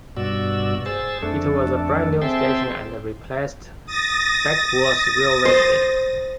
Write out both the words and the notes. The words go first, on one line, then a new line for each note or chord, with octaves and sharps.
It was a brand-new station, and replaced Backworth railway station.
G2 B2 F#4 D5 E6
G#4 C5 E6 A6
F2 A3 D4 A4
C4 G#4 E5 G5 A5 C6
D#6 A6 A#6
C5